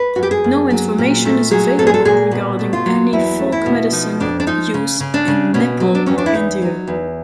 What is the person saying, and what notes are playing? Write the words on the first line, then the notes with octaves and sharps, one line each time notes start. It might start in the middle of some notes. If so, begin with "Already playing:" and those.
No information is available regarding any "folk medicine" use in Nepal or India.
Already playing: B4
F#2 F#4
G4
G#4
F#2
F#3
A#2
A3
F#3 G#4
A#2 A4
G#4
A4
A#2 G#4
B2
A3
F4
F#3
E2 E4
A3
E4
B2
F3 D#4
F2 D4
D4
F3 D#4
C#3
C#3
D4
C#3
B2 C#4
F#3
D4
E2 C#4
D4
E4
E2 D#4
F#3
E2